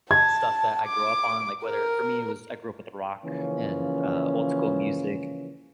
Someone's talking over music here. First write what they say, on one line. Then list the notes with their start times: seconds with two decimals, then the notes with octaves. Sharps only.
stuff that I grew up on, like, whether for me, it was I grew up with rock and, uh, old-school music
0.11 A5 G#6
0.87 D6
1.65 A#4
3.25 C#3 E3 F3 A#3 C#4